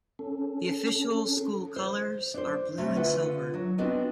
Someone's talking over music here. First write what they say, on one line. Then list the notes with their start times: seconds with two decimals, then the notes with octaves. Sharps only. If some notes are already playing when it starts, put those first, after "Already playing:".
The official school colors are blue and silver.
0.19 C#4 A4
1.76 C5
2.34 D4 C5
2.78 C3 A3 C#4
2.95 D3 F4 B4 F#5
3.54 F#3
3.78 B3 C4 D4 F#4 D#5